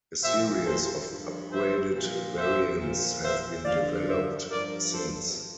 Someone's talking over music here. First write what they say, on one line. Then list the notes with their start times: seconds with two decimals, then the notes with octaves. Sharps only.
A series of upgraded variants have been developed since.
0.23 A#2 F3 C5 E5
0.66 A4 C5
1.08 G2 F3
1.51 C5 E5
1.94 A#2 F3
2.37 C5 E5
2.80 A#2 F3
3.22 C5 E5
3.65 G2 D3 F3 D5 F5
4.08 C5 E5
4.50 G2 F3 A#4 D5
4.93 A4 C5